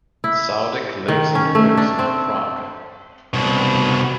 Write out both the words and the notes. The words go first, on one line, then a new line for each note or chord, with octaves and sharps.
Saudek lives and works in Prague.
E4
D#3
C#4
A3
D4
C4
C2 B2